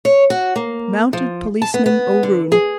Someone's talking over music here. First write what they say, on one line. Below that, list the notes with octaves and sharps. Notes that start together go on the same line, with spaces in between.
Mounted Policeman O'Roon.
C#5
F#4
A#3
F3
A5
B3
B3
D3
G#4